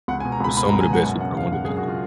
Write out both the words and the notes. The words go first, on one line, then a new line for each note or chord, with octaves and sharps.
Or, some of the best hooper or one the best hoopers.
C#2 F#5
G#5
B2
A#5
C#2 B5
B2 B5
A#5
C#2
G#5
B2 F#5
F#2 F#5
C#3 F#5
F#2 F5
C#3 F#5
G#4
F#2
F#4
C#3 F4